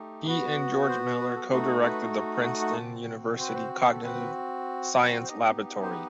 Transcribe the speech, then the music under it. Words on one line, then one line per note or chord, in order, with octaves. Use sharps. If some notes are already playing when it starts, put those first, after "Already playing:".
He and George Miller co-directed the Princeton University Cognitive Science Laboratory.
Already playing: A3 D#4 G4
B3 F#4 B4
C5
B4
A4
A3 D#4 F#4 B4
B4
F#5
F#5
C4 F#4 A5
C5
B4
C5
A4
C4 F#4 B4
B4
C5
B3 D#4 G4 D#5
C5
B4